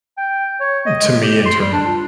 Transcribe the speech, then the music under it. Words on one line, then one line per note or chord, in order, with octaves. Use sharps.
to me in terms of
G5
C#5
D#5
G#3
G4
C6
G3
D4
F4